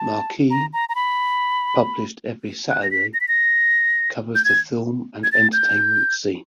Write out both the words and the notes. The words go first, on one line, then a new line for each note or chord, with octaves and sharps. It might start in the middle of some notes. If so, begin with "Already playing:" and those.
"Marquee", published every Saturday, covers the film and entertainment scene.
Already playing: A5
A#5
A#5
A#5
B5
F#6
A#6
B6
A#6
B6
A#6
G6
G#6
G#6
A6
G6